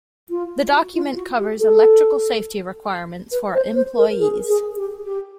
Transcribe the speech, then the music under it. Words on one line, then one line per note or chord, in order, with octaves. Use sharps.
The document covers electrical safety requirements for employees.
F4
F#4
F4
F#4
G4
A4
B4
C5
C5
A#4
G#4
G#4
G4
G4